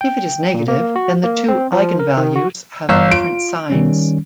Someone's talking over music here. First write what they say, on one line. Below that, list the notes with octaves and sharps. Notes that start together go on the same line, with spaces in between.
If it is negative then the two eigenvalues have different signs.
G5
A#2
A#3
F#4
A#3
C4
F3
A#4
D#3
F#4
G1 E3 F5 E6
F4 D7
D#3 G3 C#4